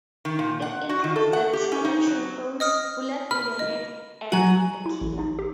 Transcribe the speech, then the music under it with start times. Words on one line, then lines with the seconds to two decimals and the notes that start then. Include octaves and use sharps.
It includes the two action films "Bullet in the Head" and "The Killer".
0.25 D#3
0.39 A#2
0.62 F#5
0.89 F#4
1.04 D#3
1.16 A4
1.33 F#5
1.53 G4
1.72 C#4
1.85 D#4
2.07 F#3
2.60 D#5 D#6 F6
3.31 B5 F6
3.59 D#5
4.32 F#3 F#4 G#5 F#7
4.86 E4
5.01 A1
5.19 D#4
5.39 G4